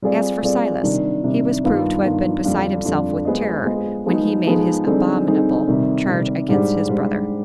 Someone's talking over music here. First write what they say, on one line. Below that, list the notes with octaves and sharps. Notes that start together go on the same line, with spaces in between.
As for Silas, he was proved to have been beside himself with terror when he made his abominable charge against his brother.
G3 C4 F4 G#4 D5
G3 C4 F4 G#4 D5
C3 D#3 G3 D4
C3 D#3 G3 D4
G2 D#3 B3 F4
G2 D#3 B3 F4
F2 D3 G3 D4 F4
F2 D3 G3 D4 F4
G#3 B3 F4 C5 D#5
G#3 B3 F4 C5 D#5
F3 G#3 B3 D#4 G#4
F3 G#3 B3 D#4 G#4
D3 G3 C4 D#4 G#4
D3 G3 C4 D#4 G#4
C3 D#3 G3
C3 D#3 G3
G#2 G3 D4 G4 C5
G#2 G3 D4 G4 C5